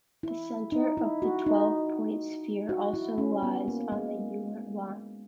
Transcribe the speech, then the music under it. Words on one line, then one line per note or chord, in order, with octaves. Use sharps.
The center of the twelve-point sphere also lies on the Euler line.
E4
D#4
E4
F#4
D#4
F#4
E4
C#4
B3
A#3
G#3